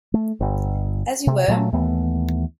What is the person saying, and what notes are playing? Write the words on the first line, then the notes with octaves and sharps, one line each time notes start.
As you were!
A3
G1
C3
A#2 F#3 A3
D#2 E3 A3 B3